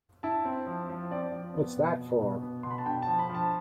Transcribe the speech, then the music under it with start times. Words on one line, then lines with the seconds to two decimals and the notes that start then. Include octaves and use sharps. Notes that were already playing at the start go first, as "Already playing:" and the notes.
What's that for?
0.23 E4 A5
0.45 C4
0.67 F3
0.89 F3
1.11 C4 D5
1.32 F3
1.54 B3
1.77 B2
1.98 B2
2.21 B2
2.42 B3
2.63 B2 C6
2.71 B5
2.78 A5
2.86 D3 G5
3.02 F3 A5
3.19 B5
3.29 F3
3.35 A5